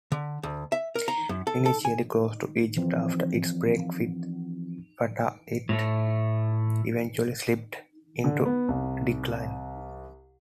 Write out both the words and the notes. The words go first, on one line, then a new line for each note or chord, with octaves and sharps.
Initially close to Egypt after its break with Fatah, it eventually slipped into decline.
D3
D2
E5
A#4
A#5
F#2
A4
A4
G#5
E3 F3 C4
A2 A3
D3
B3
C2